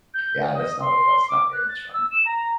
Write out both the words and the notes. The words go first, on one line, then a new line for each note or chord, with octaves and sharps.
Yeah, that's not o that's not very much fun.
G6
D#5
C6
D6
F#6
A6
E6
E7
A#5